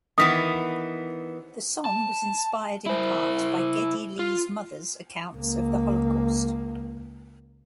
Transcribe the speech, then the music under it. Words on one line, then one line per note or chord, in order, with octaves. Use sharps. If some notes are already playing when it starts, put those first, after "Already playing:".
The song was inspired in part by Geddy Lee's mother's accounts of the Holocaust.
D#3 E3 B3 D#6 B6
A5
E4 C5
F4
C#2 A#3